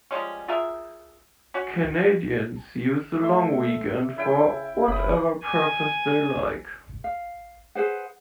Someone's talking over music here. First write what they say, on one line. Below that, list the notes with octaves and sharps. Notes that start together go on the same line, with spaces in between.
Canadians use the long weekend for whatever purpose they like.
F3 G3 G#3 C#4
F4 G#4 A#4 E5
C#4 F#4
A3 E5 C6
C#3 E4 G5
F#1 C#3 B5 D#6
G#5
F5
G#4 B4 C5 F#5